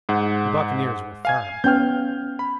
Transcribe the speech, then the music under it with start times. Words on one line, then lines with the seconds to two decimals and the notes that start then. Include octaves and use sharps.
The buccaneers were firm.
0.09 G#2 F#5
1.25 F5 G#5 G#6
1.64 B3 C#4 G5 F6 G6
2.39 B5